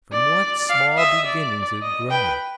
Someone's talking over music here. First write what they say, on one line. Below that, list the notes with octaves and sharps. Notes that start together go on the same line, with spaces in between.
From what small beginnings it had grown!
D5
F5
D#5 E5
D5
D#5
B4 G5